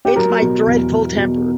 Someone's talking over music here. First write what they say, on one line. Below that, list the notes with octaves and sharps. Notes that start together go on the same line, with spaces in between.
It's my dreadful temper!
G4
F#3 A#4
B2
E2
E2
B2